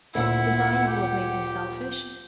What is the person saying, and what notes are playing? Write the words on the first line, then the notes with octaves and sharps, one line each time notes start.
It is I who have made her selfish.
D2 A#2 E4 F#5 E6
G4